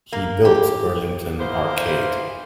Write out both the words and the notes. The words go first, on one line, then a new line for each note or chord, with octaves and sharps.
He built Burlington Arcade.
A#3
G4
E3 A#3 B3 C5